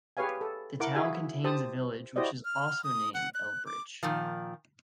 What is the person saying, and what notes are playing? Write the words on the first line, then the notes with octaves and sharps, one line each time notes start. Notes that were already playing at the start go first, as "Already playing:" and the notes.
The town contains a village which is also named Elbridge.
G4 G#4 B4 C#5 F5 G#5
A4
E4 A#4 F#5 D6
E4 F#4 G#4 E5 F5 G#5
G4 C5 A5 D#6
E4 F#4 G4 C5 D5 D#5
F6
D#6
F#5
F#6
D6
A#2 D#3 F3